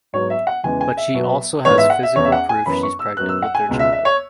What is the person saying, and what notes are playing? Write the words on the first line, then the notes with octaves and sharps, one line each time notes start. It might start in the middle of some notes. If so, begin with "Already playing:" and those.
But she also has physical proof-she's pregnant with their child.
G#2 F#3 B3 C#5
E5
F#5
E2 C#3 E3 G#3 G#5
G#5
E5
B2 F#3 B3
G#2 E3 B3 C#5
E5
F#5
E5
E2 E3 C#4 C#5
E5
F#5
G#5
F#2 E3 B3 B5
C#6
E6
F#2 F#3 B3 F#6
E6
F#5
G#5
C#2 B2 G#3
E5
E5
C#5